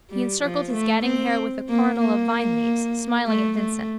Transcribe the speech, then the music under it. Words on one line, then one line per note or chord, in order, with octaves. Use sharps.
He encircled his gadding hair with a coronal of vineleaves, smiling at Vincent.
G3
F3
A3
C4
A#3
A#3
A3
A3